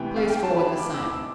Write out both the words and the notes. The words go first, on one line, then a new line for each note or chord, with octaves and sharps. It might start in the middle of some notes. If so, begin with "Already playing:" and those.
Pleas forward the same.
Already playing: D2 C3 E3 B3 G5
F5
G5
A5
B5
D6
E6
D6